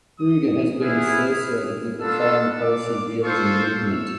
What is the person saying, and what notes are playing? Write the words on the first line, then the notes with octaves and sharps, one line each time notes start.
Ruger has been associated with the foreign policy realism movement.
D#6
B3 E4 G#4 F6
B3 D4 F4 A4 E6
D6
F4 A4 C5 C#6
E6